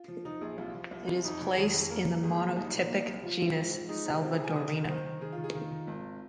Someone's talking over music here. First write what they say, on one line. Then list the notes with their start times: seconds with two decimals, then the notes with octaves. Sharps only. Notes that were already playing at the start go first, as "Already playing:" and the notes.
It is placed in the monotypic genus "Salvadorina".
Already playing: F4
0.08 F3
0.25 F3 D#4
0.41 A#1 G#4
0.58 C2 F4
0.74 F3
0.91 C2
1.08 C2
1.24 F2 D#4
1.41 F2
1.57 D#3 G#4
1.74 F2
1.90 A#3 A#4
2.07 A#3
2.23 G#1 G#4
2.40 A#3
2.56 C2 D#4
2.73 A#2
2.90 A#3
3.06 C2
3.23 F3 F4
3.39 C4
3.56 G#2
3.73 F3
3.89 G#3 D#4
4.06 C3
4.22 C4 F4
4.34 G#4
4.39 C3
4.44 G#5
4.55 D#3 D#6
4.72 D#3
4.88 D#3 C5
5.05 D#3
5.21 D#3 G#4
5.33 F4
5.38 D#3
5.44 G#4
5.55 D#3 F4
5.71 D#3
5.87 G#1